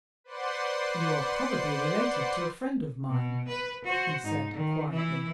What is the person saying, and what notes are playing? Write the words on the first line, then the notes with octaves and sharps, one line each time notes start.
"You are probably related to a friend of mine?" he said, quietly.
B4 C5 D5 F#5 C6
B2
B4
F#4 C5
G#2 D#4
D#3
E3 E4